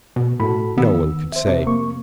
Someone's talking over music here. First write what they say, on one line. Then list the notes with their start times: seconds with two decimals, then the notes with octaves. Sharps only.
No one could say.
0.16 B2
0.40 A2 F#4 A4 B5
0.78 D#3 B3 E6
1.32 C5 E5
1.47 C3
1.66 F2 A#3 C#6